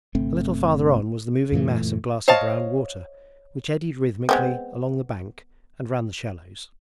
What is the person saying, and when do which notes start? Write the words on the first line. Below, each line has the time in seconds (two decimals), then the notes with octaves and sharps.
A little farther on was the moving mass of glassy brown water which eddied rhythmically along the bank and round the shallows.
0.15 G1 C3 A3 C4
1.52 F#2 A#2 E3 A3
2.28 C5 C#5 D#5 F5 A5
4.29 G#3 B3 C4